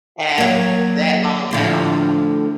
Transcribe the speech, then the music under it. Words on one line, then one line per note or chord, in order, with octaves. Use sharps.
At that long at all.
F#3 A#3
A2 D3 F3